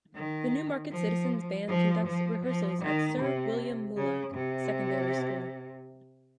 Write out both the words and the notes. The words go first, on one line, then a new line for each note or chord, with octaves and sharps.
The Newmarket Citizens' Band conducts rehearsals at Sir William Mulock Secondary School.
D#3
F3
F3
F3
F3
D#3
C3
C#3
C3